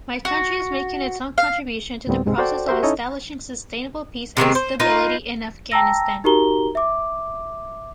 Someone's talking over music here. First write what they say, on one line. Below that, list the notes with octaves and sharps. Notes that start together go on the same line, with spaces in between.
My country is making its own contribution to the process of establishing sustainable peace and stability in Afghanistan.
F#4
F5
D2 A2 G3 B3 C4
C#2 G#2 C3 G#3 C4
F#4 A4 C5 D5 G5
F#4 G4 A#4 C5 E5
C#4 D#4 E4 A4 C#5 D#5
C3 D#3 G#3 C4
C5
D#4 F4 A#4 B4
G5 A5 A#5 E6 A#6
D#4 F#4 G4 A#4 A#5 G7
E5 D6